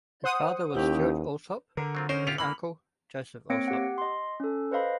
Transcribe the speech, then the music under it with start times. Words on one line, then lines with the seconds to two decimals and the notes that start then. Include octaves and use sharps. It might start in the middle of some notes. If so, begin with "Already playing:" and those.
His father was Stewart Alsop; his uncle, Joseph Alsop.
0.24 C5 F#5 D#6
0.74 D#2 C#4 D#4 E4 G4
1.77 D3 A#4
1.95 F#3 C4 F4
2.09 C#4 D#4 A#4 C5
2.27 E4 F4 G4 C#7 F7
2.38 E3 A#3 B5 F#7
3.50 A#3 C4 C#5 A#6 C#7 D7
3.68 G4 F#5
3.98 D#5 C6
4.40 C#4 A4
4.71 B4 C5 D#5 F5 B5